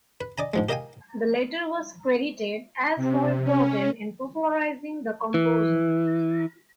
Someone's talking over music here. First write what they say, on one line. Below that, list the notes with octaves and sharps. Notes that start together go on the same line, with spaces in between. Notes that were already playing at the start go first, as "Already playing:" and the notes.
The latter was credited as more important in popularizing the composer.
B4
D5 D#5 G#5 A#5
G#2 F3 G#3
G4 A#4 D#5 F5 G5 G#5
C3
C#4
E3